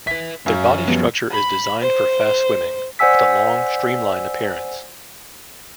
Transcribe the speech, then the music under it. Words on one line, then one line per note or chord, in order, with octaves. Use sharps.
Their body structure is designed for fast swimming with a long streamline appearance.
B4 E5 B6
F#2 C#5 F5
F#4 F5
F3 G3 B3
B5
C5
C5 D5 F#5 G#5 E6 B6